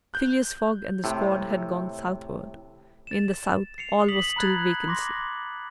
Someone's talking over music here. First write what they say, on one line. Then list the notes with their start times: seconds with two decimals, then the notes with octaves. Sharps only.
Phileas Fogg and the squad had gone southward; in the south all was still vacancy.
0.14 F#6 G6
1.04 A2 C3
3.07 A6 E7
3.78 C7 C#7 F7
4.08 D#6 B6 F#7
4.36 A#5 B5 F#6 G#6 A6
4.88 C6 D6 A#6